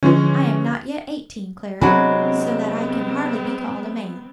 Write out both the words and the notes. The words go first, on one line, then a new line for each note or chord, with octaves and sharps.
"I am not yet eighteen, Clara, so that I can hardly be called a man."
D3 E3 F3 G#3 C#4
C3 F#3 G#3 B3 C4 D4 B4